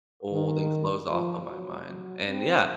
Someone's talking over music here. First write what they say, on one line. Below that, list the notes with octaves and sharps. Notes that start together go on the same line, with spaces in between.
old and close off of my mind, and yeah.
D#3
F3
F#3
F#3
C4